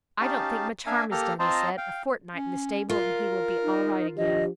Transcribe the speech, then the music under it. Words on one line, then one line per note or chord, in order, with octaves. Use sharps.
"I don't think much harm is done," he said; "a fortnight in the stable and he will be all right again."
C#4 D#4 G4 F5 A5
A#3 D4 A#4 E5 F5 G#5
A#3 G4 A4 A#5 F6
C4 F4 C5 D#5 A5 A#5
F5 G5
C#4
F4 A#4
D#4
F3 D4 G4 D#5